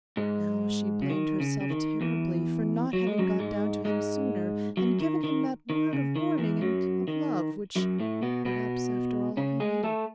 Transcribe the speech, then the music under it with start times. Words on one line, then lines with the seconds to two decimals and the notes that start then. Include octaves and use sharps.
Now she blamed herself terribly for not having gone down to him sooner, and given him that word of warning and of love which, perhaps, after all, he needed.
0.17 G#2 G#3
1.02 C#3
1.10 D#3
1.40 C#3
1.61 C#3
1.70 D#3
2.01 E2 E3
2.93 F#3
3.07 G#3
3.19 F#2 F#3
3.39 G#2 G#3
3.85 G#2 G#3
4.77 F#2 F#3
5.01 D#3
5.24 D#3
5.70 D#3
5.93 C#3
6.16 D#3
6.38 E2 E3
6.62 F#2 F#3
7.08 D#3
7.76 F#2 F#3
7.99 A2 A3
8.22 B2 B3
8.45 B2 B3
9.37 C#3 C#4
9.60 G#3 G#4
9.83 A3 A4